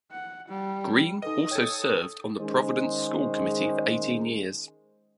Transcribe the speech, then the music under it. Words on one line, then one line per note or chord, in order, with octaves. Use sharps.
Greene also served on the Providence school committee for eighteen years.
F#5
G3
D#4 A4 B4 D#5 D#6
A4 C#5 G5 G#6
D#3 G#3 C#4 C5